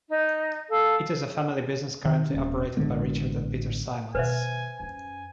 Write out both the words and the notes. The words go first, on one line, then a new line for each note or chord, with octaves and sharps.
It is a family business currently operated by Richard and Peter Simons.
D#4
A4 F5
D#3
D#1 C#4
A1 D3 G#3 B3
B2 D#3 B4 C5 E5 G#5
F#2 C#4 G#5